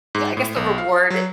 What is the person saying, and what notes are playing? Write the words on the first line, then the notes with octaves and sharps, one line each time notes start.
Yeah, I guess the reward
G#2
A2
B1
F5
F#3